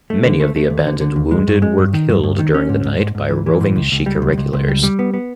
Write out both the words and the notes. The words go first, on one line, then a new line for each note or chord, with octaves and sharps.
Many of the abandoned wounded were killed during the night by roving Sikh irregulars.
A3
D3
A3
A3
D#2
D3
D3
D#2
G#3
G2
G#3
G2
D#3
G2
G2
D#3
C#4
G#2
G#2
G#2
G#2
E3
E3
G#2
C#2
C#2
G3
C#2
C#2
C#2
G3
G3
B3
B3